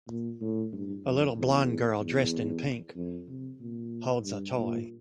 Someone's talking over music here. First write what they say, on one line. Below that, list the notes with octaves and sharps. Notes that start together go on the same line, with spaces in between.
A little blond girl dressed in pink holds a toy.
A#2
A2
G2
F2
E2
E2
F2
C3
A#2
G2
A#2